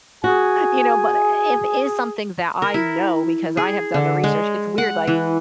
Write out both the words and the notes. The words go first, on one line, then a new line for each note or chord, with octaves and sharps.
you know? But, if it is something that I know because I have done the research it's weird, like,
F#4 G#4 G#5
A#4
E4
G#4
D3
G#3
F#5
E3